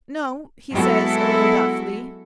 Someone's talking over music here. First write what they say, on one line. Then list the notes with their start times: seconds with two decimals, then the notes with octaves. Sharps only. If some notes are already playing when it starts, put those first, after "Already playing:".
"No," he says, a little doubtfully.
0.71 F#3 G#3 B3 E4 F#4 A4